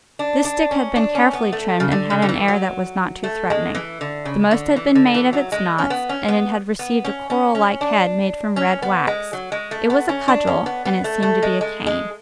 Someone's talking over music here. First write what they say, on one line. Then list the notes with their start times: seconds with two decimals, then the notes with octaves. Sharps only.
This stick had been carefully trimmed, and had an air that was not too threatening; the most had been made of its knots, and it had received a coral-like head, made from red wax: it was a cudgel, and it seemed to be a cane.
0.19 D4
0.45 D4
0.71 C#4
0.96 D4
1.15 C#4
1.33 B3
1.52 A3
1.80 C#3
1.91 D3
2.10 C#3
2.22 D3
2.29 E3
2.48 F#3
3.24 A3
3.50 G#3
3.75 E3
4.01 D3
4.25 C#3
4.51 D3
4.76 E3
4.95 D3
5.14 E3
5.33 F#3
5.52 G#3
5.78 C#4
5.90 B3
6.09 C#4
6.28 B3
6.79 B3
7.05 C#4
7.30 C#4
7.55 C#4
7.81 D4
8.56 C#4
8.82 B3
9.07 G#3
9.33 F#3
9.52 G#3
9.71 A3
9.90 B3
10.09 C#4
10.28 D4
10.47 C#4
10.66 B3
10.85 B3
11.04 A3
11.22 A3
11.42 G#3
11.61 G#3
11.86 G#3